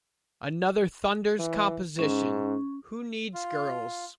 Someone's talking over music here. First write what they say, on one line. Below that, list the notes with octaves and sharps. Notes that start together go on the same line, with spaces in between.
Another Thunders composition, Who Needs Girls?
E3
G#2 C#4
F4